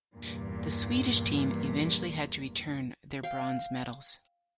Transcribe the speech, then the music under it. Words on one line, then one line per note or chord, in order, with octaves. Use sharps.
The Swedish team eventually had to return their bronze medals.
E2 G2 A#2
F5 G5